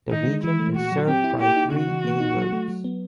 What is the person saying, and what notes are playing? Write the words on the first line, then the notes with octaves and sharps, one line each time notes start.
The region is served by three "A" roads.
D#3 D#4
G#3
E3 E4
A3
A#2 F#4
F#3
C4 G4
E4
A#3 G4
D#4
C#3 F#4
E3
A#3
D#4
F#3
A3
F#3
B3